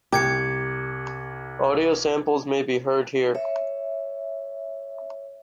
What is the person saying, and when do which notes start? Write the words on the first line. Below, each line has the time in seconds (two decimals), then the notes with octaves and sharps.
Audio samples may be heard here.
0.13 C2 G4 D6 G#6 C#7
3.35 C#5 E5